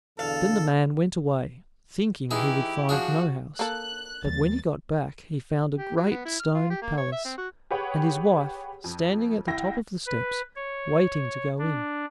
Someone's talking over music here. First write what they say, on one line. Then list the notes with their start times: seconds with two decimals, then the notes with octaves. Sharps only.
Then the man went away, thinking he would find no house, but when he got back he found a great stone palace, and his wife standing at the top of the steps, waiting to go in.
0.19 E2 B2 D3 A4 F5
2.31 E3 D#4 E4 G4 G#4
2.89 F3 D4 F#4 G#4
3.59 A#3 A4 F#6
4.24 D#2 E3 G3 A6
5.78 G4
5.97 F#3
6.11 B3
6.25 E4
6.40 F6
6.55 F4
6.70 G4
6.82 A#3
6.97 C#5
7.12 E5
7.25 C4
7.37 F#4
7.71 G4 G#4 B4 C#5 F#5 G5
8.84 F2
9.47 C2 E4 G5 A#6
10.06 B4
10.56 C#5
11.59 D4